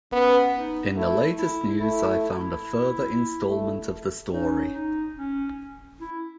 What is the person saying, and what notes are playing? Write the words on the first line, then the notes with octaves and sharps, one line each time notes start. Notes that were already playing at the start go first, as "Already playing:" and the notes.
In the latest news I found a further instalment of the story.
B3 C#4
D#4
A3 E4
E4
A3 E4
E4
A3
C#4 D#4
D#4
C#4
E4